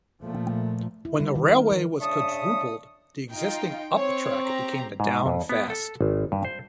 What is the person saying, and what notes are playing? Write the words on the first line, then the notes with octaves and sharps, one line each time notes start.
When the railway was quadrupled, the existing up track became the down fast.
A#2 F3 A3
E4
G3
D#3
A#4
E3
C#3 D4 E5 A5 C#6 D#6
D#4 F4 G5
C4 C#5
G4 A#5
G#2
F2
B3
A4
G#1
G2
C5